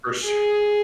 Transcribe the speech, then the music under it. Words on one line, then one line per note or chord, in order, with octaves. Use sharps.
For su
G#4